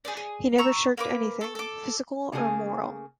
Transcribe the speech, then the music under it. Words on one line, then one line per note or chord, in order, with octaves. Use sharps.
He never shirked anything, physical or moral.
G#4 C5 D5
G#4
A#5 B5 C#6 E6
A#3 B4 D6
A4 C#6
A4 D6
C#3 A3 A#3 G#4 G#5